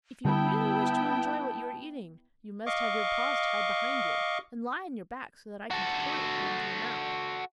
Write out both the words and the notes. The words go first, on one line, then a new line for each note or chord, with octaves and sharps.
'If you really wish to enjoy what you are eating, you must have your paws tied behind you, and lie on your back, so that I can pour it into your mouth.'
D3 G3 B3 E4 G5 A5
D#5 F5 C#6 D6
F#4 A4